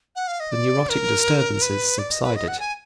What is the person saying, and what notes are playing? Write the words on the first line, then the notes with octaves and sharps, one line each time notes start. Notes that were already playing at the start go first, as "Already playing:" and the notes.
The neurotic disturbances subsided.
F#5
F5
D#5
D5
A#4
B4
D5
D#5
B4
D#5
F#5
G#5